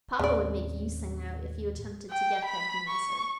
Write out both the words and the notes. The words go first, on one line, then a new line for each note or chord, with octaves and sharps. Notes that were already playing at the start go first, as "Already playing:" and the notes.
'Papa would make you sing out, if you attempted to get there,' he answered.
D#2 A2 C#3 C4 D5
G5
B5
C#6